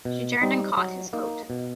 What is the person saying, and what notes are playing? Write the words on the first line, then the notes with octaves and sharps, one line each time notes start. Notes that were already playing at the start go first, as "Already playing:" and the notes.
She turned and caught his coat.
B2
G3 C4 D#4
F#3
A#3 D#4
B2